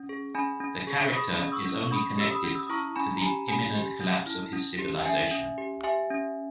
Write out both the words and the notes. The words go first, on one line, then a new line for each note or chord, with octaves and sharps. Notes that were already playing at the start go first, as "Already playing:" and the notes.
The character is only connected to the imminent collapse of his civilization.
Already playing: C#4
G#4
C#4 G#5 B5
C#4
G#4
G#4 B5 D#6
C#4
D#6
C#6 E6
C#4
C#6
C#4 B5 D#6
G4 E6
B5 D#6
C#4
E6
D#6
E4 A#5 C#6
C#4 G#5 B5
A#5
G4 G#5 B5
C#4 G#5 B5
G4
C#4
E4
C#4
G4
G5
C#4 E5 G#5
C#4
G4
G4 E5 G#5
C#4